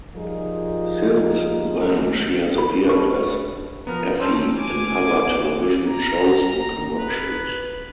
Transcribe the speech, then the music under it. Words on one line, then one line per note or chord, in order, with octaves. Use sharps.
Since then she has appeared as Effie in other television shows and commercials.
F3 G3 D#4 F4 G#4 A#4
B5
D4 C#6
F3 B3 A#4 A#5
G3 C4 C#4 A5
G#5 D6
A#5
B4